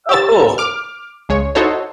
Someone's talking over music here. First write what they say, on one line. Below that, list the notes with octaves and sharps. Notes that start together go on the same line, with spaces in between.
Oh, cool.
G4 E6 A6
D6 F6
C#2 G#3 C#5
D#4 E4 F#4 A4 C5 C#5